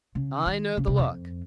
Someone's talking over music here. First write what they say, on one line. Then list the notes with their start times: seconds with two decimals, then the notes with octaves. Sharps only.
"I know the look."
0.15 C#3
0.46 D#3
0.77 C#3
0.87 C3
0.99 F2